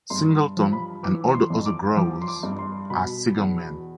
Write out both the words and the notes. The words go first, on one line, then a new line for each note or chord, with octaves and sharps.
Singleton and all the other growers are cigar men.
G2 C6
F3
B5
E3 D6
C6
F2
D6
F3 D6
C6
D6
G2
C6
B2 B5
E2